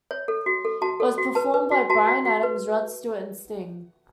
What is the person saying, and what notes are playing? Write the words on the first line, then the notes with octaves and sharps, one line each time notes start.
It was performed by Bryan Adams, Rod Stewart and Sting.
C#5
A4
F#4
A4
F#4 A5
A4
F#4
B4 A5
B4
F#4
F#4 A5
F#4
F#4
B4